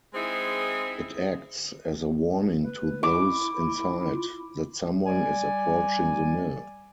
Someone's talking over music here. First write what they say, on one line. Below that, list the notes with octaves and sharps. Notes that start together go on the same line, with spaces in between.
It acts as a warning to those inside that someone is approaching the mill.
G#3 C4 D#4 E4 G#4
B4
E4 D6
F4
G3 D5 G#5